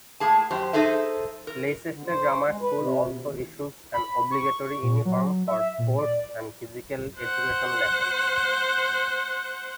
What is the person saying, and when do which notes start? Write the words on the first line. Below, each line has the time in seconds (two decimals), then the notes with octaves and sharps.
Leicester Grammar School also issues an obligatory uniform for sports and physical education lessons.
0.20 A2 A#3 G#4 A5
0.51 F#2 G4 C5
0.73 D#4 G#4 A4 C5 E5
1.47 A#4
1.92 D3
2.06 C5
2.48 G#3
2.61 B4
2.80 C3
3.09 B2
3.21 D#2
3.94 B5
4.32 C#6
4.83 A#2
5.05 F#3
5.47 E5
5.78 A#2
5.98 D5
7.19 C5 F#5